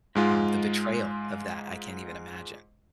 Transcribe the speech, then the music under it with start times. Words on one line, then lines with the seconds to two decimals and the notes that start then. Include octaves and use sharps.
um, the betrayal of that, I can't even imagine.
0.15 G#2 G#3 F4